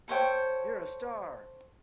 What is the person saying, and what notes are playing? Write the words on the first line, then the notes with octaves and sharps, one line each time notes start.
You're a Star!.
A4 C5 C#5 G5